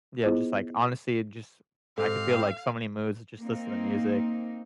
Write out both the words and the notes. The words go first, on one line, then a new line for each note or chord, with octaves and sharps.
Yeah, just, like honestly, it just I could feel, like, so many moods just listening to music
B3 E4 F4 G#4 C5 D#5
G#2 C4 G4 A4 F5
A#3 C4 D#4